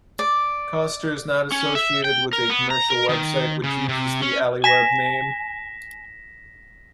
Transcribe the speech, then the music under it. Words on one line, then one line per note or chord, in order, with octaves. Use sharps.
Koster is not associated with a commercial website which uses the aliweb name.
D5
C#4
E5
G5
A#4
B3
A#5
A#4
D#3
C#3
C3
C#4
G#5 A#6 B6 E7